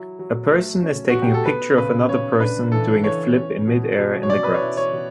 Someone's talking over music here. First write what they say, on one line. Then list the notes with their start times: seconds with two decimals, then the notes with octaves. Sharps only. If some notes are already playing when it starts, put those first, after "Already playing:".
A person is taking a picture of another person doing a flip in midair in the grass.
Already playing: F#3 E4
0.19 F#3
0.51 A3
0.83 C#4
1.10 B2 F#4
1.22 G4
1.34 A4
1.46 B3 B4
1.77 C#3 B4
2.09 C#3 C#5
2.40 D4 B4
2.72 E3 A4
3.04 E3 C#5
3.35 C#4
3.67 B2
3.99 B2
4.23 C#5
4.30 C#4 D5
4.44 B4
4.54 C#5
4.61 E4
4.77 C#5
4.93 B2